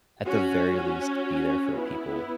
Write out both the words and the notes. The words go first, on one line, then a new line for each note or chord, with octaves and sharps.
at the very least, be there for the people
C#4 F#4
C#4 F#4
B3 E4